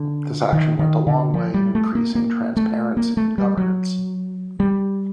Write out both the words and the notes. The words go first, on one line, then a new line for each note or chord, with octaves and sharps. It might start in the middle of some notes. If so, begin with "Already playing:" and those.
This action went a long way in increasing transparency in governance.
Already playing: D3
D#3
D#3
D3
F3
G3
A3
A#3
A#3
A3
A#3
A3
G3
F#3
G3